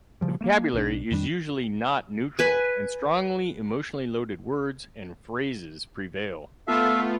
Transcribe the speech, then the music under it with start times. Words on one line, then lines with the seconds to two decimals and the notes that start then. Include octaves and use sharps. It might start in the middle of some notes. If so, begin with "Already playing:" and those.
The vocabulary is usually not neutral, and strongly emotionally loaded words and phrases prevail.
0.21 C#3 F3 G3
0.41 A3 A#3
0.73 B1 D#3 D4
1.11 F2 D#3 G3 D4
2.39 B4 G#5
6.68 A3 B3 F4 A4 E5 F5